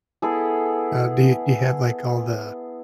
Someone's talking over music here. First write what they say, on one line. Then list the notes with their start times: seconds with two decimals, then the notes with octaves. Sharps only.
Uh, do you do you have, like, all the,
0.22 B3 E4 G#4 A4